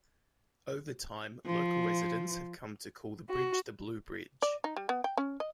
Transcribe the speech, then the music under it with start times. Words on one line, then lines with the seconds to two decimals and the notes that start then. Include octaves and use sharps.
Over time, local residents have come to call the bridge the Blue Bridge.
1.46 F3
3.29 F#4
4.42 D5
4.64 D#4
4.76 G3
4.89 B3
5.04 G5
5.17 C#4
5.40 D#5